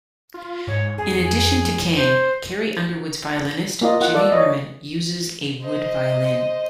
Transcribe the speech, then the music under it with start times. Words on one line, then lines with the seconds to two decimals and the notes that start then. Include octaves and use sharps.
In addition to Kang, Carrie Underwood's violinist, Jimmy Herman, uses a Wood Violin.
0.34 F4
0.67 G#2 C#5
0.97 F2 G#4
1.95 C5
3.81 A#3 F4 D#5
4.01 F4 F#5
4.15 A4 D5
4.32 C#5 D#5
5.63 C5 D#5